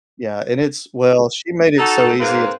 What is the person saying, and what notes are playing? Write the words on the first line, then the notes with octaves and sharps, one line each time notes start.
Yeah, and it's well, she made it so easy it's
D#4 F#4 A4
G#2 A#3 C4 B4 F5